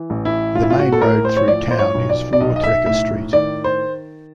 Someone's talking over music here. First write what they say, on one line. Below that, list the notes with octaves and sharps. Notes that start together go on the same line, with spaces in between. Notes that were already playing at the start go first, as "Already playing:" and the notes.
The main road through town is Voortrekker Street.
Already playing: E3
A1
E4
A1 F4
E4
F4
F#4
A4
A2 A#4
C5
C#5
F3 D5
C5
C#5
B1
D5
D5
B1 D#5
D#5
E5
A2 E5
D#3 D5
C5